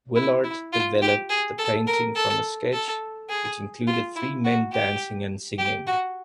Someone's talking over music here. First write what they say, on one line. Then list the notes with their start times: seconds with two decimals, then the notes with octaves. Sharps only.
Willard developed the painting from a sketch, which included three men dancing and singing.
0.16 E4
0.44 E4
0.73 F4
1.01 G4
1.30 G#4
1.58 A4
1.87 A#4
2.15 A4
2.73 A4
3.30 G#4
3.87 F4
4.15 E4
4.44 F#4
4.72 G4
5.58 G4
5.87 F#4